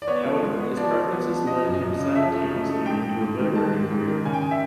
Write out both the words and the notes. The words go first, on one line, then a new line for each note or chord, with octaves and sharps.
However, his preferences led him simultaneously into a literary career.
D5
B3 C#5
F3
G#3
B3
F3 D5
F3
B3
F3
F3 D#5
F#2
F#2
C#3
F3 E5
A3
C#3
A3
G#2 G5
G#2
G#2
D#3
D#3 A5
G#2
G#2
D#3
C#3 G#5
G5
G#5
E5